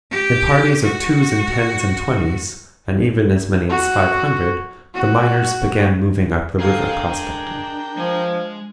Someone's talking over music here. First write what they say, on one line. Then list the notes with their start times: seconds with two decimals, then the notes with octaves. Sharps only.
In parties of twos and tens and twenties, and even as many as five hundred, the miners began moving up the river prospecting.
0.10 G4
0.82 F#4
3.69 F#4
4.95 F#4
6.60 D3 G#4 A#4 D#5 F5 G5
7.03 D4
7.97 F3 G#3 G#5